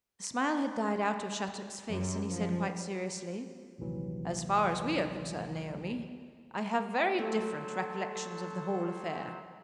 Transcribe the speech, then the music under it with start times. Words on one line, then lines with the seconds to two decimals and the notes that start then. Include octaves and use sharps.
The smile had died out of Shattuck's face and he said quite seriously: "As far as we are concerned, Naomi, I have very different recollections of the whole affair."
1.90 F#2
2.30 F3
3.78 A#1 D#2 C3 E3 F#3
7.19 F#3 A3 A4 C5